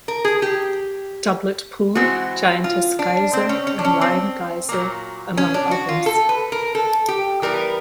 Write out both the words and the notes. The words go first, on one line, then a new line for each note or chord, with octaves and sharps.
Doublet Pool, Giantess Geyser and Lion Geyser, among others.
A#4
G#4
G4
E3 G#3 C4 F#4
F4
D4
C4
C#4
C#4
D4
C#4
C4
A#2 F#3 A#3
C#4
D4
F#4
F4
A4
B4
A#4
A4
G4
E3 G3 B3 A#4